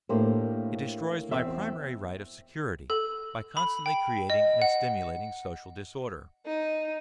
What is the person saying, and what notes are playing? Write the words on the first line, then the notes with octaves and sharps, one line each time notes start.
It destroys my primary right of security, by constantly creating and stimulating social disorder.
A2 A#3 D4 G4 C5
E2 C4 E5
A4
B5
G5
D#5
F#5
D#4